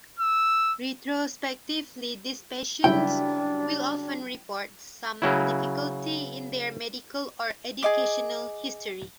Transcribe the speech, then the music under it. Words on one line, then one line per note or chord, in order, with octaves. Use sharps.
Retrospectively, these patients will often report some difficulty in their medical or educational history.
E6
C#3 F#3 G3 D4 E4 G5
C#3 F#3 E4
G#4 D#5 D6